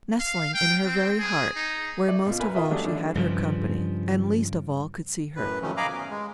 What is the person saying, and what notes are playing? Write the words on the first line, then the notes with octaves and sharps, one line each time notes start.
Nestling in her very heart, where most of all she had her company, and least of all could see her.
F5
G5
C4
G#4
D#4
D5
B2 F4
A#4 B4 G#5
F4 A#4 D#5 E5
F#3 G#3 A3 D4 G4
D#2 D3 D4
G2 C#3 F3
F#2 A2 B4
C3 D#3 F3 F#3 A3 C#4
D#5 F5 G#5 A#5 B5 D6
B3 C#4
G#3